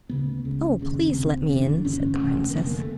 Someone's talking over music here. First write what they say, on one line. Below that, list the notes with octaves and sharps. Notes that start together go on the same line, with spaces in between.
"Oh, please, let me in!" said the princess.
D2 C#3 B3
C#2 C#3
F1 D#2 C#3
C#2 B2 C4
C4
F1 D#2 D3 C#4
D4
A1 G2 D3 C#4
C#4
E1 D2 C3
A#3
F1 F2 D3 B3
A#3
A3